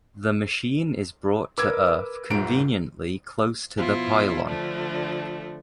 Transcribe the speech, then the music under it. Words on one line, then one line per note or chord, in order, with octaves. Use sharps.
The machine is brought to earth conveniently close to the pylon.
A#4 B4 D6 E6 G#6
D#1 G#2 D7
B2 F3 E4 F4
D3 F3 A3 D4